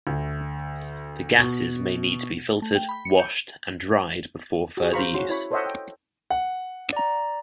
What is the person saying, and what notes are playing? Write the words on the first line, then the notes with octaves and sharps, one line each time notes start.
The gases may need to be filtered, washed and dried before further use.
D2
B2
A3
G5
B5
C#7
G6
F#4 G#4
C5 F5 A#5 B5 C#6
C#4 F#4 C6
E4 C#5 B5
A4 C5 C#5 D#5 E5 F#5
G5
F#5
D5 A#5